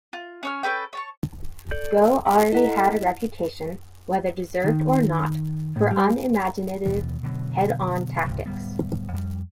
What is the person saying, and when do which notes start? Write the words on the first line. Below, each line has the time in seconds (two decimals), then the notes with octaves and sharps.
Gough already had a reputation, whether deserved or not, for unimaginative head-on tactics.
0.13 F4
0.43 C#4 C#5 F6
0.63 C#4 A4 B4 G5
0.93 C#5 A5 C#6
1.71 A4 D5 G6
2.26 G4 F#5 C#6
2.52 E4 A4 D#5 F#5 A#5 B6
4.64 D#3
5.76 A2
5.91 G3
6.85 D#2 B2 E3 F3
7.23 B2 D3 F#3
8.25 C#2 G#2 C3 F3
8.46 D1 G3 B3
9.13 F2 G3